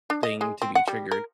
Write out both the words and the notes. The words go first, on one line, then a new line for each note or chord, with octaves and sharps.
thing to be triggered
D4
D#5
G#3
C4
F#5
G3
A#4